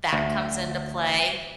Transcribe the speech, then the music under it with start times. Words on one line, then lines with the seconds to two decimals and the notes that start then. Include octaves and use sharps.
that comes into play,
0.13 D2